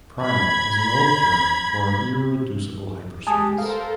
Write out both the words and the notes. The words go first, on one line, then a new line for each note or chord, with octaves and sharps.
"Primal" is an old term for an irreducible hypersurface.
B5 G#6
G#3 G4 G#5 A5 D#6
A4 A#4 C5 F5